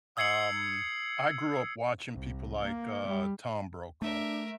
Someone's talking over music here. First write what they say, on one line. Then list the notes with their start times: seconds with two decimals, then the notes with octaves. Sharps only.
Um, I grew up watching people like, uh, Tom Brokaw,
0.17 D#6 E6 G#6 C7 C#7 F#7
2.13 C2
2.63 A#3
3.05 G3
4.02 A3 D4 A#4 E5